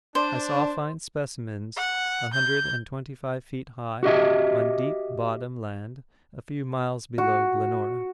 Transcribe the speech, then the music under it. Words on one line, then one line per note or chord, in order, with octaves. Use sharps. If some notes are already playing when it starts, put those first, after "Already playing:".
I saw fine specimens a hundred and twenty-five feet high on deep bottom land a few miles below Glenora.
D4 C5
F#5
G6
F#4 G4 D#5 E5
F#4